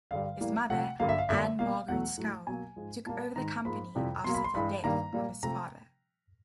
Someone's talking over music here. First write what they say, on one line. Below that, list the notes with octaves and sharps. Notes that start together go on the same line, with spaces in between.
His mother Ane-Margrethe Skou took over the company after the death of his father.
G2 D3 G3 F5
A2 E3 G3 A#3
C3 F3 A3 F#5
G2 D3 F#3 A#3 F5
E5
F5
F#2 D3 G3 A#3 E5
B2 G3 A#3 F5
E2 B2 F#3 A3 F#5
A2 F#3 A3
B2 F#3 A#3 G#5
G#2 F3 G#3
A#2 G3 A#3 A5
G#2 D#3 G#3 A#5
G#2 F3 A#3 B5
F2 C3 E3 G3
B2 F#3 A#3 C6
B5
C6
G2 E3 G#3 B5
G2 D#3 G3 A#3 A#5
A#2 G3 A#3
C3 F3 A3 A#5